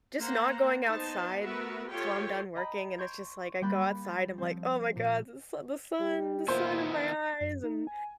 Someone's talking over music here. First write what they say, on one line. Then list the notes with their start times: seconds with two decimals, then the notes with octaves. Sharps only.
Just not going outside till I'm done working, and it's just, like, I go outside. I'm like, "Oh my god, the su the sun the sun in my eyes, and"
0.19 A#3 C5 F#5 A#5
0.85 B3 D#4 C5 A5
1.41 A3 B3 F#4 A#4 B4 E5
1.91 F4 G4 A4 C#5 G5 C6
2.55 D#5 G5 A#5 B5
2.98 C6 C#6 G6 G#6 D7
3.61 G3 A#3 G5 B5 F#6 A6
4.05 A6
4.38 F3 C4
4.96 A#2
6.00 G3
6.48 A#2 D#3 B3 E4 C5
7.41 F#2
7.63 D#4
7.87 G#5